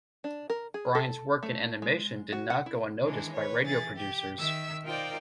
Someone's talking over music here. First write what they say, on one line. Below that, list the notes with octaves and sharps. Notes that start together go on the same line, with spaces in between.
Bryan's work in animation did not go unnoticed by radio producers.
D4
A#4
G#4
A4
A3
G#3
F#4
F#5
E4
D#3 E3 G#3 D4
B4 C#5
E3 G#4 A6
G4
D#3 E5 E6
D#4 F4 A#4 C5 D5 G5